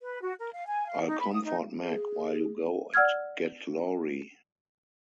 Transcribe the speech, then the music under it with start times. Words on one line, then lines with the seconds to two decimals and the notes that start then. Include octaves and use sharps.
I'll comfort Meg while you go and get Laurie.
0.01 B4
0.21 F#4
0.39 A#4
0.54 F5
0.67 G#5
0.88 F5
1.06 D#4
1.20 B5
1.32 D#6
1.44 D#4
1.83 G#4
2.94 D5 F#5 E6 F6 G#6